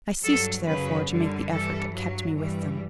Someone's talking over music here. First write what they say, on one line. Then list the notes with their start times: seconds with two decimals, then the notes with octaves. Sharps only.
I ceased, therefore, to make the effort that kept me with them.
0.24 G2 F#3 A4
0.66 F#2 C#3 F#3 B4
1.09 F#2 D3 G3
1.51 G2 E3 G3 A4
1.93 G2 F#3
2.36 G2 E3 G3